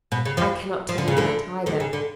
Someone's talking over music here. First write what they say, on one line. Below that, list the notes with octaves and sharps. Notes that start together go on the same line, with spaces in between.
"I cannot tell you that either."
B2
C#3
F2 F3
F3
D3
C#3
D2 D3
D2 D3
C#3
D3